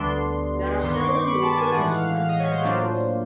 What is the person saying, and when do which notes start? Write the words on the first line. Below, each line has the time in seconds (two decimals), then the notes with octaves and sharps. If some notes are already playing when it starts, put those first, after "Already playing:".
There are several local restaurants and cafes.
Already playing: D2 D3 G3 B3 D4 C6
0.81 G2 D#3 G3 B3 C6
0.93 C#6
1.04 D6
1.15 C#6
1.27 B5
1.42 A5
1.57 G#5
1.72 A2 E3 G#3 F#5
1.94 F5
2.17 F5
2.29 D#5
2.40 C#5
2.51 C5
2.62 A2 F#3 A#3 D4 F4